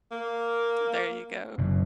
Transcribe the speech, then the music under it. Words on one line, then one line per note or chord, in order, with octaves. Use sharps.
There you go.
A#3
F#1 B2